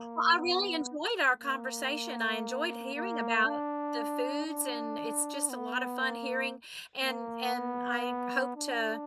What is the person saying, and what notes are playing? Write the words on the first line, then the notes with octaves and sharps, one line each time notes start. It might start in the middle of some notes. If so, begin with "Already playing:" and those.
Well, I really enjoyed our conversation. I enjoyed hearing about the foods, and it's just a lot of fun hearing and and I hope to,
Already playing: A#3
B3
A#3
A#3
D4
D4
B3
A#3
A#3
B3
D4